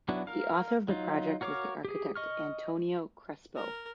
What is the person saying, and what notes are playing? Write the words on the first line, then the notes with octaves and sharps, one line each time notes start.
The author of the project was the architect Antonio Crespo.
F#3 B3 D4 E4 F#4
A#4 F5
F#3 D#4 F4
F#4 A#4 C#5 F5 D6
G4 G#4
D#5 C#6 F6
A#4